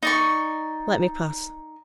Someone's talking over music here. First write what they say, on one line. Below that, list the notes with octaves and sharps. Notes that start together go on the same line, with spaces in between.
Let me pass.
D#4 D5 C#6